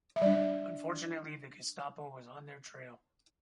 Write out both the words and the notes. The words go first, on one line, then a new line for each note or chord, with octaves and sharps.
Unfortunately, the Gestapo was on their trail.
E5
G3 D4 D5